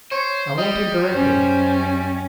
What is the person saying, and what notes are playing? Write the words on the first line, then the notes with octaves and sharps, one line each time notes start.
I want him directly.
C5 C#5
G3 D#5
F#2 C#4 C5